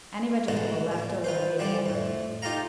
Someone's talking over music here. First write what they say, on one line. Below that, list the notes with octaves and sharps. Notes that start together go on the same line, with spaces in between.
Any vegetable left over may be added.
A1 B2 D3 G#3 A4
A#2
F4 B4 C5
D3 F3 G3 D4 A4
F2 A2
D#4 F4 G4 A4 F5 A#5